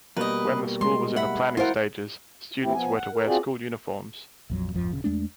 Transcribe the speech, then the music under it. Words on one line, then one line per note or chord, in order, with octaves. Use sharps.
When the school was in the planning stages, students were to wear school uniforms.
B2 G3 A#3 B4 D#5
G#3 C6
E5 F#5 B5
E4 F4 A#4 C5 F#5
E3 C4 E4 G4
F3 B3 G#5
F#5
A#4
C4 F4 F#4 G#4 D5
A#1 F2 F#3
D1 G#1 F2 F3
D#1 C#3
E2 G#3 A3 D4